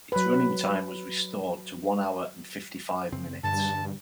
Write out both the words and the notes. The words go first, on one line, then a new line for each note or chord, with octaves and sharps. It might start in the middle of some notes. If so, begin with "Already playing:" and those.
Its running time was restored to one hour and fifty-five minutes.
F#3 B4
F#2 C#3 C4
E1 G2 D3 G3 A5